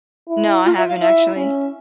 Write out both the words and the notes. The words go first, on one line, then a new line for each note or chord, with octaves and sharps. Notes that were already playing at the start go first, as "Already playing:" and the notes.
No, I haven't, actually.
E4
F4
E5
F5
E4 E5
C#4